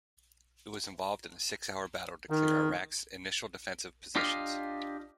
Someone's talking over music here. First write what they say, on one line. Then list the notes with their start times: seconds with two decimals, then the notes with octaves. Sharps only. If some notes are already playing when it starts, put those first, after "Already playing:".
It was involved in a six-hour battle to clear Iraq's initial defensive positions.
2.30 D#3
4.16 D4 F4 G4 D#5 F5